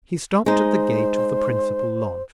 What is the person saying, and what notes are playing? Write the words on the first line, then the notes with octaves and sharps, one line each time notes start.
He stopped at the gate of the principal lodge.
G#3 D#4 C5